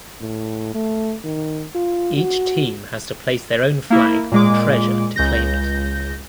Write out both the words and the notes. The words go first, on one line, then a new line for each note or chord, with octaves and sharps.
Each team has to place their own flag on treasure to claim it.
A2
A3
D#3
F4
F#4
A#3 E4
A#2 G#3 D6
C#2 G6 A#6